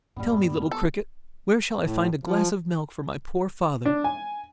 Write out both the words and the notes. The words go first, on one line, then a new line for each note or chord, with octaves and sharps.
"Tell me, little Cricket, where shall I find a glass of milk for my poor Father?"
F#2 A2 G3 A#3 B3
A4
A2
F3
D4
G#5